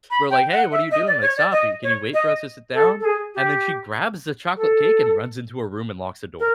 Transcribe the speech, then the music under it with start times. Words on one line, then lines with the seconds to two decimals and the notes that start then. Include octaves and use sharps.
we're like, "Hey, what are you doing? Like, stop i can you wait for us to sit down?" And then she grabs the chocolate cake and runs into her room and locks the door.
0.10 B5
0.30 G5
0.51 F#5
0.71 E5
0.91 D#5
1.06 D5
1.21 C#5
1.36 D5
1.51 D#5
1.83 C#5
2.13 D#5
2.73 A4
2.99 A4
3.04 G#4
3.34 G4
4.56 A4
6.39 A#4